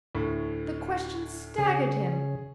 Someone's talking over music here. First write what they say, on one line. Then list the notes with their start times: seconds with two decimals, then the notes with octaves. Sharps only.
The question staggered him.
0.15 D2 A2
1.58 C#3 G#4